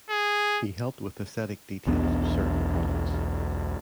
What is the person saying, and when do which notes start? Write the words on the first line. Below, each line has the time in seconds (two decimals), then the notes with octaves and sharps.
He helped with esthetic details of certain products.
0.10 G#4
1.86 B1 E2 B3 D4